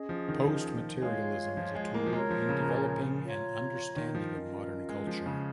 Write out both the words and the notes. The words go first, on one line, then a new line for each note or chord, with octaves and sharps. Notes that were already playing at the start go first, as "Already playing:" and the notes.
Post-materialism is a tool in developing an understanding of modern culture.
Already playing: C#4 G#4 D#5
F3
D#3
F3
G#3 F4 C#5 F5
F3
G#3
A#3
F3
G#3 F4 A#4 C#5 A#5
F3
C#3
A#2
F4 C#5 A#5
D#3
F3
C#4 F4 A#4 D#5
G#3
F3
C#3